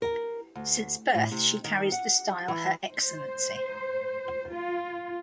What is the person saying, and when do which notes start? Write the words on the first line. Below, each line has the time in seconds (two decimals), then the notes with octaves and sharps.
Since birth she carries the style "Her Excellency".
0.02 A#4
0.55 D2
1.15 A2
1.32 C3
1.64 D#3
1.92 F#5
2.48 E3
2.96 C5
4.52 F4